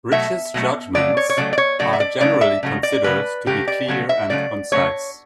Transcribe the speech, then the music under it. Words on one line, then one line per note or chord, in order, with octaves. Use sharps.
Rich's judgments are generally considered to be clear and concise.
B2 F#3 A3 E5
B2 F#3 A3
C#3 F#3 A3 D5
C#5
C#5
C#3 F#3 A3 D5
D5
C#5
C#3 F#3 A3 D5
E5
D5
C#3 F#3 A3 D5
E5
C#3 F#3 A3
D5
C#3 F#3 A3 B4
C#3 F#3 A3 G4
D5
C#3 F#3 A3
E5
C#3 F#3 A3 D5
C#3 F#3 A3 C#5